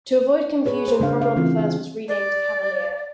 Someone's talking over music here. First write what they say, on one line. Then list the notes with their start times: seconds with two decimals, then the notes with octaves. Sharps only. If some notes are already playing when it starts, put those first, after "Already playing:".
To avoid confusion Cromwell I was renamed "Cavalier".
0.66 G#4 B4 C#5
0.88 C5
1.00 C#3 A3 D4 F5
1.22 F5
1.36 E3 C4 F4
1.59 G#4
2.08 D5